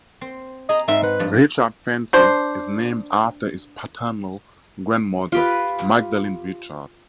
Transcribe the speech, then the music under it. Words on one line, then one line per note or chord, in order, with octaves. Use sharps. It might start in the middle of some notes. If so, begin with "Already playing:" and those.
Richard Fancy is named after his paternal grandmother, Magdelene Richard.
C4
G#4 D#5 A#5
G#2 C4 D#4 E5
B4 F#5
G2 F3
D4 C5
F4 G4 B4